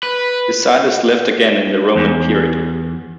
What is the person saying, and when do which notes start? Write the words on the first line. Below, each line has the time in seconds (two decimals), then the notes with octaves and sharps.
The site is left again in the Roman period.
0.03 B4
1.95 E2